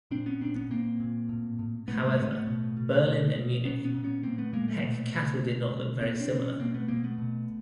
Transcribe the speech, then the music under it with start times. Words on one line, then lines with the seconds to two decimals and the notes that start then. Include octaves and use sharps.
However, Berlin and Munich Heck cattle did not look very similar.
0.11 A#2 C4 D4
0.26 B3 C#4
0.41 A#2 C4 D4
0.55 B3 C#4
0.70 A#2 A#3 C4
1.00 A#2
1.29 A2
1.59 A2
1.88 A2 A3 B3
2.02 G#3 A#3
2.17 A2 A3 B3
2.32 A3 B3
2.47 B2
2.77 B2
3.06 B2
3.36 B2
3.65 A#2 B3 C#4
3.84 B3 C#4
3.94 A#2
4.04 B3 C#4
4.23 A#2 A#3 C4
4.38 A3 B3
4.53 A#2 G#3 A#3
4.68 G3 A3
4.82 B2 A3 B3
5.12 B2
5.42 B2
5.71 B2
6.01 B2 A#3 C4
6.20 C4 D4
6.30 B2
6.40 B3 C#4
6.59 B2 A#3 C4
6.74 A3 B3
6.88 B2 A#3 C4
7.04 A3 B3
7.18 B2